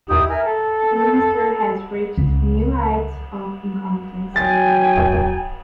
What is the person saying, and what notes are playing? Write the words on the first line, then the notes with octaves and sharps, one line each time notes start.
The Minister has reached new heights of incompetence.
D#4 E4 G4 D#6
A#4 E5 G#5
A4
C#2
F#3 G5 G#5 A6